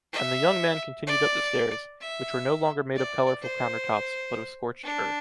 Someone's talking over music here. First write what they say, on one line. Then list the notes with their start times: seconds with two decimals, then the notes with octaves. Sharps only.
And the young man continued up the stairs, which were no longer made of colorful countertops, but of scorched earth.
0.12 E5
1.07 D5
2.01 E5
2.96 D5
3.42 C5
4.84 D4